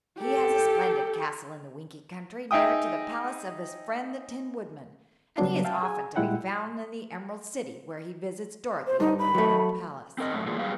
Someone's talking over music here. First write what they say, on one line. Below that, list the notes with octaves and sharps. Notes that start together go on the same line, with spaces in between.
"He has a splendid castle in the Winkie Country, near to the palace of his friend the Tin Woodman, and he is often to be found in the Emerald City, where he visits Dorothy at the royal palace."
G4 A4
D#4 G#4 E5 G5 D#6
C#3 F#3 G3 B3 D4
E5 F5 G5 A5
G#4 G#5
A#2 G3 G#3 E4 F#5 G5
C5
G2 D#4
B5
F#3 A3
C4 A#4 D#5
F#2 A2 A3
E3 A#3 D4 F4 G#4
F#3 G3 B3 G4 G#4 F5